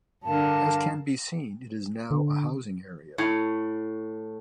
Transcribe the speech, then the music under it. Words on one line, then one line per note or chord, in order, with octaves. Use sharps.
As can be seen it is now a housing area.
G2 D3 A#4 F5 A5
D3
A2